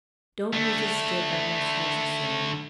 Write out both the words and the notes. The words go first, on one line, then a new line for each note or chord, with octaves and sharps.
Don't use a stick unless necessary.
D3 A3